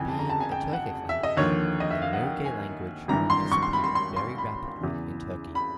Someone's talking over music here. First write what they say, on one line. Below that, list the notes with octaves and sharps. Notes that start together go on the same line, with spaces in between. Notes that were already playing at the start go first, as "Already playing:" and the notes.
Being a Turkic language, the Nogai language disappeared very rapidly in Turkey.
Already playing: G1 F2 C#3 E3 G5 G#5
A5
A#5
A5
G#5
G5
F#5
E5
D#5
D#2 D3 F3 C#5
D#5
E5
F5
F#5
G5
G#5
G#1 G2 E3 A#5
C6
C#6
C6
B5
C6
C6
C6
B5
E2 C#3 E3
B5